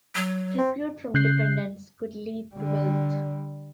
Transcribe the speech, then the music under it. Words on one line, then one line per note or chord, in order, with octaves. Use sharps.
Tribute from dependents could lead to wealth.
F#3
C4
C#3 F#6 G6 C7
D3 G3